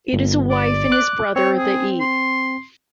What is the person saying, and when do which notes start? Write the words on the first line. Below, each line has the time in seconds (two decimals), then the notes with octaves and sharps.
It is a wife and his brother, the E.
0.13 G1
0.51 D5
0.92 D6 F#6
1.36 C4 C#5
1.58 G#4
2.01 C6